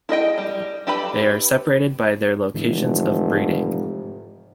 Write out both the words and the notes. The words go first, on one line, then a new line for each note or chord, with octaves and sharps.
They are separated by their locations of breeding.
E4 G#4 D#5 G5
G3
D4 G4 A4 B4 B5
F1 G#2 D3 E3